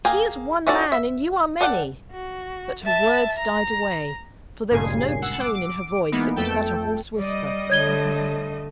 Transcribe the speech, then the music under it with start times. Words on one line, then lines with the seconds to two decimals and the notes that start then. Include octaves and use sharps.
He is one man, and you are many; but her words died away, for there was no tone in her voice; it was but a hoarse whisper.
0.05 A#3 G#4 G5 G#5
0.67 C#4 E4 F#4 A4 D5
0.92 E5
1.61 A4 D5 F#5 G5
2.12 F#4
2.84 E5 A5
3.39 A#5
4.71 G#1 G2 A#2 C#3 G#5 C7
5.22 F#5 E6
5.40 D6 D7
6.12 E3 G#3 A#3 B3 D#4
6.36 F2 A3 A4 G5
7.17 G3 D5 D#5
7.70 D3 A3 C#5 G#6 G7